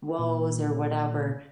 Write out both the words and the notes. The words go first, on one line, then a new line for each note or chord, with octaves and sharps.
woes or whatever.
A#2